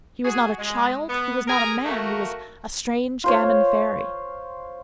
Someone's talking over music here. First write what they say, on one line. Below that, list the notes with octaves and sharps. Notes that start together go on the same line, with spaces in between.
He was not a child, he was not a man; he was a strange gamin-fairy.
F#4 G#4
G#3
B3
G#4 A#4 G#5 A#5
D#3 A3 A#3 F#4 A#4
F4 C5 C#5